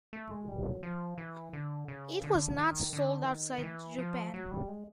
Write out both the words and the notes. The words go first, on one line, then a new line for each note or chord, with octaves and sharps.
It was not sold outside Japan.
A3
G#3
G3
F#3
F3
E3
D3
C#3
D3
D#3
D3
E3
D#3
D#3
E3
F3
F#3
G3
G#3